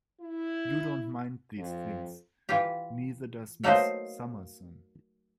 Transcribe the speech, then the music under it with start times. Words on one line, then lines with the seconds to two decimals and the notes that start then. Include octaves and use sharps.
You don't mind these things; neither does Miss Summerson.
0.21 E4
1.58 F2
2.49 E3 F4 G4
3.63 F#3 A3 A#3 D#4 B4 C5